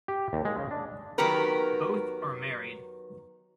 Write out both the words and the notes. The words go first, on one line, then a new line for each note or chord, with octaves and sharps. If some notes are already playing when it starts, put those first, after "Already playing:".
Both are married.
G4
D#2
G#3
C#3
D4
D#3 F#3 B3 G4 A#4 B4